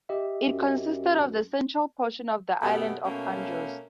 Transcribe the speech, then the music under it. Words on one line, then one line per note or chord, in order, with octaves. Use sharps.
It consisted of the central portion of the island of Andros.
G4 D#5 E5
F#2
F#2 B2 A3 B3 G4
B2 A3 A#3 C#4